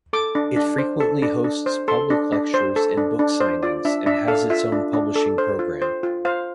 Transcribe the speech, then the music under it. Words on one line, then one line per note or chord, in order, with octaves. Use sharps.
It frequently hosts public lectures and book signings, and has its own publishing program.
A4 D6
D4
D4
C5
A4
D4
D4
C5
A4 C6
D4
D4
C5
A4
D4
D4
C5
F4 D5
D4 E5
D4 E5
A4 F5
F4 E5
D4
D4
A4
C5
F4
C5
F4
C5 F5